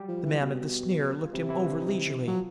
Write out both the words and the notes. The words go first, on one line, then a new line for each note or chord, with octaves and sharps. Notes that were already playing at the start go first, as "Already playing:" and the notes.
The man of the sneer looked him over leisurely.
Already playing: F#3 G3 F#4 G4
F3
E3
B2
F4
C3 E3 E4
E3 E4
D3 D4
D#3 D#4
F3 F#3 F4